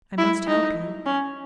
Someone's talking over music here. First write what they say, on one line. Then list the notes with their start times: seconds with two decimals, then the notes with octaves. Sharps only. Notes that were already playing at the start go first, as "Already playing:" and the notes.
I must help you.
0.18 E4
0.47 D#4
1.06 C#4